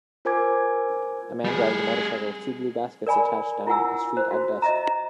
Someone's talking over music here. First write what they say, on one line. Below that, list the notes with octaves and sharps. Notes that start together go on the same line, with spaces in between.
A man drives a motorcycle with two blue baskets attached down a street at dusk.
F4 A#4 C5 G#5 D6 G#6
G3 G#4
A#4 D5 G#5 B5
E4 F4 A#4 F#5 G#5 E6
C5
F#4
D#5 E5 A#5